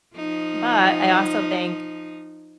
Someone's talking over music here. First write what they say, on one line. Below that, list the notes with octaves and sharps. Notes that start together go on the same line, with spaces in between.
but, I also think
F3 D#4